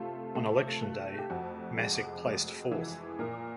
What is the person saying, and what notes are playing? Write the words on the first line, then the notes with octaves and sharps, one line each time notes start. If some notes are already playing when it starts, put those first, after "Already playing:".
On election day, Masyk placed fourth.
Already playing: C3 A3 F4
A3
A3
G4
F2 F#4
G#3
G#3
E3
A#2 A#4